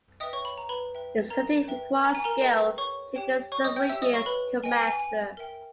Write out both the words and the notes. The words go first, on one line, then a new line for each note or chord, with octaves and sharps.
Its cutting requires skill, taking several years to master.
B4 D#5 E5 G5 D#6
C#5 C#6
B5
A#5
B4 B5
B4 E5 G5
A#4 A#5
B4 E5 G5
A#5
G#5
A#4 A#5
G#4 B4 D#5 G5
C#5 C#6
G4 C#5 G5
C#5 C#6
D#5 D#6
G5 G6
G4 C#5 E5 G5 E6
D#5 D#6
C#5 C#6
B4 B5
B4 D#5 G5 G#5
G#5
G#5
G#5
A#4 E5 G5